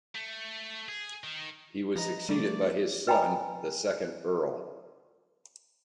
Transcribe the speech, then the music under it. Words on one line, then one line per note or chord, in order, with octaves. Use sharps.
He was succeeded by his son, the second Earl.
A3
G#4
D#3
F3 B4 D#5 A#5
F3 G3 A3 G#4 D5
B4 D#5 G5 G#5 A#5 B5